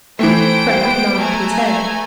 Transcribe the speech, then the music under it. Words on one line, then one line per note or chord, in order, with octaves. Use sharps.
Frank nodded his head.
E3 A3 C5 G5 D7
B3
A3 G#5 A#5